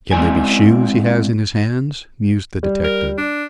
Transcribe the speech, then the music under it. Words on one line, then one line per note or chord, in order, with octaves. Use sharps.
"Can they be shoes he has in his hands?" mused the detective.
G#3 C4 E4 D5 G#5
G3
A#4
D4